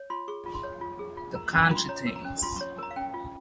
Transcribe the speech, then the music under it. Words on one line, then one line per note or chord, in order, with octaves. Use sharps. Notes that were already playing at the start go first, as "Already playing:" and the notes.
The country things.
Already playing: C#5
F4 C6
G#4 C#6
F4
C6
C#5
F4
G#4
F4
A#4 A#5
C#4
A#5
F4 C6
C#5 A#5
A#4
A#5
C#4
F4 C6
C#5 C#6
A#4 A#5
F5
C#4 G5
F4